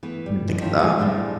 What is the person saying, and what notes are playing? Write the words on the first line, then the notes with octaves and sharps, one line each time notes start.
didn't think of that.
E3 A3 B3
G3
F#2 B2
D#3 F3 C#4 E4
E2 D#3 E3 G#3 D#4 G#5
A2 F3 G3 G#3 C4 D4